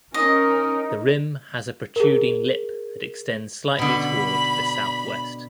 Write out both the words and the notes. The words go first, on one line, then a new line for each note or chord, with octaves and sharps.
The rim has a protruding lip that extends slightly toward the southwest.
C#4 D#4 A#4 D#5
G#4 A#4
B2 D3 B5